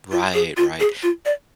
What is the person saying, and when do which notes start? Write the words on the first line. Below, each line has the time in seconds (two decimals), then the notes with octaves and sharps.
Right, right.
0.12 F4
0.34 G#4
0.57 F4
0.80 G#4
1.03 F4
1.25 D5